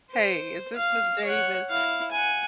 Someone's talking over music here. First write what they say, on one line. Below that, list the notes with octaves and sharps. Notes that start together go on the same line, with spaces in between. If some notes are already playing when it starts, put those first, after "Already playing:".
"Hey, is this Ms. Davis?"
C5
F5
C#5 F#5
E4 F5
F#5 G#5